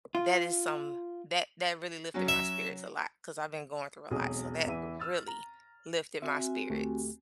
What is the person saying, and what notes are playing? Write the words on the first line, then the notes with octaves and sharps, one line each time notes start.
That is some that that really lifted my spirits a lot, 'cause I've been going through a lot, so that really lifted my spirits.
F4
F#3 C#4 F#4
E5
E1 B1 F2 G#4 D#6
E2 E3 E5 D#7
E6 F6 A6
A#5
C4 F#4 E5 G#5
D2 A3 G4